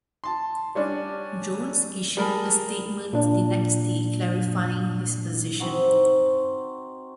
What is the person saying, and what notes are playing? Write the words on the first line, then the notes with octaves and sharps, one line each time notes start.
Jones issued a statement the next day clarifying his position.
A5 C6
G3 C#4 D4
G3 G#4 A#4 A5 B5
A#2 D4
C4 D#4 F#4